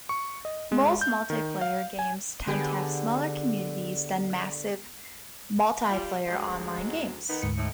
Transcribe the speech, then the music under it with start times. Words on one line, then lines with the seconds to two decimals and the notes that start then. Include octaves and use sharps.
Most multiplayer games tend to have smaller communities then massive multiplayer online games.
0.09 C#6
0.45 D#5
0.72 G#3
1.01 G6
1.30 D#3
1.61 F5
1.99 G#5
2.47 D3 B3 G4 G#4
5.90 G3 F4
6.28 D2 F#3 G#3
7.29 D#3 B3 D#4
7.42 D2 G#2 C#7
7.58 A2 D#4